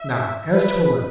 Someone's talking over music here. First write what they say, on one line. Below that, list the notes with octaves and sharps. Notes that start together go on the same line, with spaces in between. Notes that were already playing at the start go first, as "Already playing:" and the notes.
Now, as to a letter.
Already playing: E5
B4